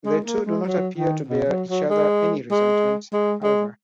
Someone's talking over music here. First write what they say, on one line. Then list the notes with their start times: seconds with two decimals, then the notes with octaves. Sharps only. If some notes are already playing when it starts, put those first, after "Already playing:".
The two do not appear to bear each other any resentment, however.
0.05 G#3
0.26 A#3
0.46 G#3
0.67 F#3
0.97 D#3
1.28 B2
1.49 F#3
1.69 F#3
1.90 G#3
2.51 G#3
3.13 G#3
3.43 G#3